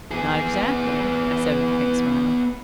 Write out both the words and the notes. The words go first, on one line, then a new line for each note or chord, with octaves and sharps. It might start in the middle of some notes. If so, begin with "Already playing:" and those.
"Not exactly," I said with a faint smile.
B3 G#4